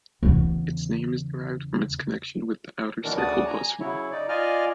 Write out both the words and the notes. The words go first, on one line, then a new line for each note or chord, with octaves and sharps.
Its name is derived from its connection with the Outer Circle bus route.
E2 C#3
A#2 D#3 E3 F#3 D4 A#4
D2 C#3 F#4 D5 A5 D#6
G#5 A#5
C#3 F#3 E4 C#5
D#4 D5
F4 D5 D#5 G#5 F6